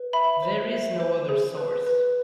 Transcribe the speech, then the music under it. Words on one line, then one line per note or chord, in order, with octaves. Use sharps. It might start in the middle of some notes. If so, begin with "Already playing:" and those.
There is no other source.
Already playing: B4
E5 B5
C5
E5
C5
G#4
B4
B4